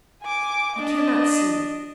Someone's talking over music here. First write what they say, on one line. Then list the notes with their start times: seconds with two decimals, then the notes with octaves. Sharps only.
I can not sleep.
0.23 G#5 D6
0.77 D4 D#5